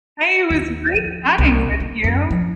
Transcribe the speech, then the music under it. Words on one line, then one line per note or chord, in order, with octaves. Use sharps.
Hey, it was great chatting with you.
D#2
F3
C2
E4
F#2
F3